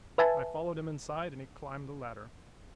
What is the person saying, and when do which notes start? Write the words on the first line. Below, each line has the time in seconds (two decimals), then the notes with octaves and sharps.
I followed him inside and he climbed the ladder.
0.18 B4 E5 G#5 A5